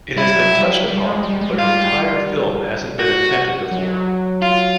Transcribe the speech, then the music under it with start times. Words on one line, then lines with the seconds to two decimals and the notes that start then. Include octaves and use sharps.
It has been touched upon but an entire film hasn’t been attempted before.
0.17 G3 E4
0.35 F#3
0.53 G3
0.70 F#3
0.88 G3
1.06 G#3
1.23 G3
1.41 G#3
1.51 F#3
1.59 G3 F4
3.00 F#4
3.71 F#3
4.42 F4